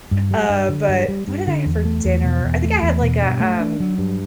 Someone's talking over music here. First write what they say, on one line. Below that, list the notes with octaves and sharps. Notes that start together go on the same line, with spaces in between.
Uh, but what did I have for dinner? I think I had, like, a, um
G2
G3
G2
D3
G2
G3
G2
D3
E2
A3
E2
B2
E2
A3
E2
B2
G2
A3
D4
F#3
G2